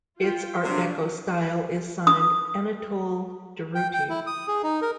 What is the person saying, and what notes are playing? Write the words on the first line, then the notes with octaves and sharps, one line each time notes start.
Its art deco style is signed Anatole Durruty.
F4 G5
C3 F#3 D4
D#6
G5
G5
E4
D#6
G#4
D#4
A#4